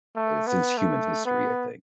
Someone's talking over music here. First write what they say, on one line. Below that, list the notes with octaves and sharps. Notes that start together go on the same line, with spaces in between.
eh, since human history, I think.
A3
B3
A3
B3